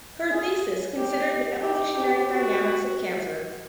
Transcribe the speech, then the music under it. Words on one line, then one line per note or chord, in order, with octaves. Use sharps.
Her thesis considered the evolutionary dynamics of cancer.
G#4
G4
G4
G4
F#4